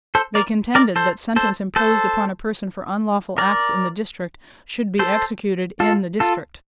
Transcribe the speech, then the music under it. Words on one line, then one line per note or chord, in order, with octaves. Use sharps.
They contended that sentence imposed upon a person for unlawful acts in the District should be executed in the District.
A4 C5
A#4 D5
A#4 D5
A4 C5
A4 C5
A4 C5
A#4 D5
A4 C5
F4 A4
F4 A4